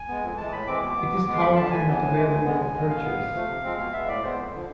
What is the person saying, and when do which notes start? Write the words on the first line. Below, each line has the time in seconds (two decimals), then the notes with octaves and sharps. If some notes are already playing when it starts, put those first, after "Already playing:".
It is currently not available for purchase.
Already playing: G#5
0.08 G#3 B3
0.22 F2
0.37 E3 G#3 A5
0.52 A2 B5
0.67 E3 G#3 C4 D6
0.82 B2 D6
0.97 B3
1.12 G#2
1.26 G#3 B3
1.35 C6
1.41 F2 B5
1.56 D3 F3 A5
1.71 D2 G#5
1.86 C3 E3 B3
2.01 A2
2.16 E3 G#3
2.30 D2
2.45 D3 G#3 B3
2.59 E2
2.75 D3 G#3
2.89 B2 F5
3.04 B3
3.19 C3
3.34 F3 A3
3.48 C3
3.64 F3 G#3 C4
3.78 B2 F5
3.93 G#3 B3 E5
4.08 A2 D5
4.23 G#3 B3 C5
4.38 F2
4.53 D3 F3